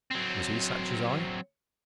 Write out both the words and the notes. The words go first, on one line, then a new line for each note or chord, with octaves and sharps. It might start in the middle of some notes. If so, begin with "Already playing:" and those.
Was he such as I?
F#3 C4